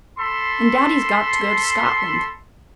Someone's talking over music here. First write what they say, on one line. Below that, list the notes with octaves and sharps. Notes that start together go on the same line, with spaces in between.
'And daddy's got to go to Scotland.
A4 B5 C6